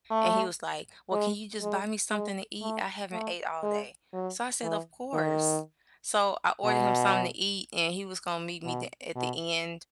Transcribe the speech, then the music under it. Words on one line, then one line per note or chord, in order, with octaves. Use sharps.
and he was like, "Well, can you just buy me something to eat? I haven't ate all day." So I said, "Of course." So, I ordered him something to eat, and he was gonna meet me the at the end,
A3
G#3
G#3
G#3
A3
A3
G#3
F#3
E3
D#3
B2
B2
B2